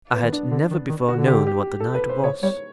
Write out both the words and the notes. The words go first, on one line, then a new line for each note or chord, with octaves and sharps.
I had never before known what the night was.
B3
D#3
D4
D3
D#3
D#3
D3 F#4
G4
G4
A4
B4
C5
C#3 C#5
G3 C#5